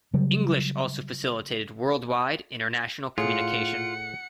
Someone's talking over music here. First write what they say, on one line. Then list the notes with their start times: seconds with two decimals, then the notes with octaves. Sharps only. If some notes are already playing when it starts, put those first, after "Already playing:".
English also facilitated worldwide international communication.
0.14 C#3 F#3 G3
3.18 A2 F4 G#4 F#5 C#7